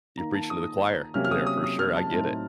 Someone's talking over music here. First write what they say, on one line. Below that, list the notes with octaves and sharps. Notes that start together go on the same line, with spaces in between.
you're preaching to the choir there for sure, I get it.
D#3 A#3 D#4 A#5
A5
D#6
C3 F#3 A#3 C#4 F6
F6
D#6
D#6
D#6
F6
A5
A2 F#3 C4 D#4 A5